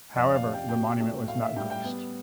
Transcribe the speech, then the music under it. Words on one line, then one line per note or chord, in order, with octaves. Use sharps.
However, the monument was not greased.
F2 D5
F5
C3
G5
B2 G5
A3
A2 F5
E5
G3 G5
G5
B3